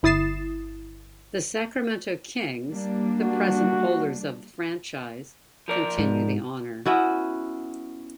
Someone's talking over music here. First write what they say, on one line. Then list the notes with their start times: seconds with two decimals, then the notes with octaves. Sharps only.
The Sacramento Kings, the present holders of the franchise, continue the honor.
0.03 G1 E4 D#6 A6 C7 E7
2.68 G3 A#3 D4
3.20 F#4
5.68 F3 A#4 D5
5.99 G#2
6.86 B3 C#4 E4 F#4